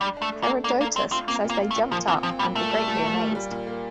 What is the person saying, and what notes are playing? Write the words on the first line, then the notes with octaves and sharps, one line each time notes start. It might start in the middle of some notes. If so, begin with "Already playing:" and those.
Herodotus says they jumped up and were greatly amazed.
G3 D4
A3 D4
A3
A#3
A4
A#3 D4
A#3 A4
A3 C4
C4 F4
A#3 C4
A#2
A#3
F4
A3
A#2
A#2 F3
E3 C4
F3 C4
A#2 G3
A#2 A3
G3
A#2
A#2
G3
G3
A#2
A#3